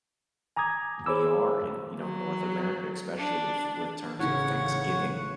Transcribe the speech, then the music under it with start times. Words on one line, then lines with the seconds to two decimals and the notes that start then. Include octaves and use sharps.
we are in, you know, North America, especially with with terms of Thanksgiving.
0.56 G#5 A#5 D6 D#6 G#6
1.06 G#4 C5 C#5 B5 D6 E6
1.99 F#3
3.17 D4
4.19 A1 C#3 C4 D#4 E4 C#5 F#5 C#6